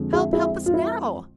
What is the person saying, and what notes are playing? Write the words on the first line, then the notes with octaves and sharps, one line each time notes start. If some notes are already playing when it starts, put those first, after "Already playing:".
Help, help us now!'
Already playing: F2 D3 G#3
E4 G#4
E4 G#4
F4
E4